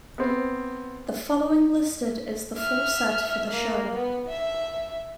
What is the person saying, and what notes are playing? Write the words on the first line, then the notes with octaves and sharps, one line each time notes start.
The following listed is the full set for the show.
B3 C4
E5 F6
A#3
B3
E5